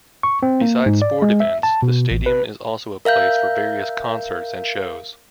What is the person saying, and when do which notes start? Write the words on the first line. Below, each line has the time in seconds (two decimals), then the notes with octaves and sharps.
Beside sport events, the stadium is also a place for various concerts and shows.
0.23 C#6
0.43 C4
0.61 A#3
0.86 G#2
1.02 D5
1.22 G#3
1.40 E5
1.63 A5
1.83 B2
2.11 A1
2.26 B4
3.05 A#4 E5 F5 G6